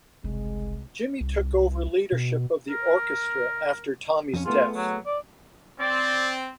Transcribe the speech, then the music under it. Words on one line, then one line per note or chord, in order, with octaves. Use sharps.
Jimmy took over leadership of the orchestra after Tommy's death.
F#1 C2 G#3
C2
B2
A#4
F2 C#4
A3 B3 F4 G#4
F#3
D5
C4 D5